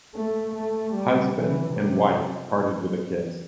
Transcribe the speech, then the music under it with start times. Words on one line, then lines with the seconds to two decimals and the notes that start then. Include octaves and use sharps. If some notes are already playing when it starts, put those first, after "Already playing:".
Husband and wife parted with a kiss.
0.15 A3
0.54 A3
0.93 G3
1.33 E3
1.72 C3